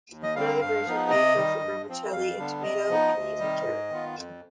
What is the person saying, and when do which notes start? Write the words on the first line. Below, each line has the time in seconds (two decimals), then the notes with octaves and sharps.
Another version made with Vermicelli and tomato, peas and carrot.
0.10 D#2
0.23 D#5
0.35 D3 G3 C4 F5
0.61 G2 F5
0.86 F3 B3 D#4
1.11 C3 D#5
1.36 D#3 G3
1.61 G2
1.88 F3 C4
2.12 F2 F5
2.38 D3 G3 B3 D4
2.63 C3 D#5
2.88 F3 B3 D#4
3.14 D2
3.39 C3 D#3 G3
3.64 G#2
3.90 D#3 B3 F4
4.15 F2